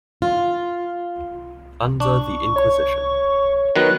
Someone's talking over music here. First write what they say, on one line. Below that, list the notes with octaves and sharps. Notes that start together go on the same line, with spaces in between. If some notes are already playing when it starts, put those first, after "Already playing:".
Under the Inquisition.
F4
D4 C#6
C#5
D#3 F#3 B3 F#6